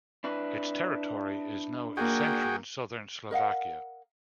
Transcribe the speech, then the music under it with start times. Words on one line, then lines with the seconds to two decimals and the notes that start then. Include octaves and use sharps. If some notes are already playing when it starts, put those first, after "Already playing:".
Its territory is now in central and southern Slovakia.
0.24 D4 E4 B4
1.97 A#3 F#4 G#4 G5
3.31 A#4 D#5 F5 F#5